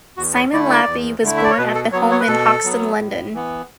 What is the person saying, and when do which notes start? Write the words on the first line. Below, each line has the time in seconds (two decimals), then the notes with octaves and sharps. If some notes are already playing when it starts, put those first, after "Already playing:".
Simon Laffy was born at home in Hoxton, London.
0.17 E2 F#4
0.35 C#5
0.52 D3 A3 E4 D5
0.70 D5
0.87 E2
1.23 D3 A3 E4
1.37 E5
1.44 D5
1.51 C#5
1.58 B2 B4
1.75 A4
1.92 F#3 C#5
1.95 B3
2.11 C#5
2.20 B4
2.28 B2 A4
2.64 F#3 B3
2.99 A2
3.34 E3 B3